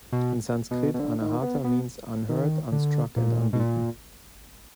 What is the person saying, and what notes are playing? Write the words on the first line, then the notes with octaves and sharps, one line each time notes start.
In Sanskrit, "anahata" means "unhurt, unstruck, and unbeaten".
B2
B2
B2
D3
D#3
B3
B3
D#3
D3
A#2
B2
A#2